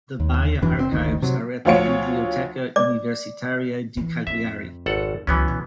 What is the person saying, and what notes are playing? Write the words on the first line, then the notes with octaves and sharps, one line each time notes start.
The Baille archives are at the Biblioteca Universitaria di Cagliari.
D#2
E1 F#2 E3 D4
F#1 A2 C4
F#1 D2 D#3
C3 F#3
D2 F3 F4 C#5 C#7
D5 D6
E3
F2 E5
G#1 A4 F#5
C#2 E3 F#3 B3 C#4
B2